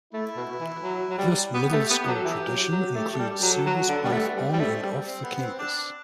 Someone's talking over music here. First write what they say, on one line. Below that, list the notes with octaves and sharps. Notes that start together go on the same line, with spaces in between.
This Middle School tradition includes service both on and off the campus.
A3 E4
B2
E3
F#3
F#3
G3
B3 G4
A3 G4
B3 G4
F#3 A4
E3 G4
F#3
F#3
A3 G4
A4
G3
G4
F#3
A4
F#3 B3
D3
G3
A3
G3 C4
G3
A3
G3
C4
B3
C4
D4